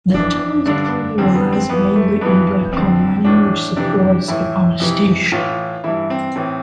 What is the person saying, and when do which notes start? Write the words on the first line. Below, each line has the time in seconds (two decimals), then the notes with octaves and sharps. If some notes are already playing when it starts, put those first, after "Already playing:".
The town's economy relies mainly on black coal mining, which supports a power station.
0.14 F2 E3 D4
0.66 G2 D3 D4
1.18 E2 D3 C4
1.35 B3
1.52 C4
1.69 F2 E3 B3
1.96 A3
2.21 G2 E3 B3
2.73 F2 D3 C4
3.24 A2 E3 D4
3.76 F2 C3 E3 D4
4.28 A2 E3 E4
4.80 F2 C3 E3
5.32 A2 E3 F4
5.84 G2 E3 E4
6.10 C4
6.35 A2 E3